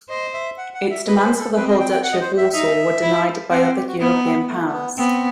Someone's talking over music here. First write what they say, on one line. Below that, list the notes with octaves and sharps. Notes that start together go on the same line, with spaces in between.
Its demands for the whole Duchy of Warsaw were denied by other European powers.
C5 D#5
E5
F#5
F#5
E5
B4 D#5
C5
A4
C4 B4
D#5
G5
G5
F#5
D#5
C5
E5
D#4 E5
E4
C4 F#5
F#5
G4
F#4
B3 E4
D#4
C4
B3
A3
A3
B3
B3 C4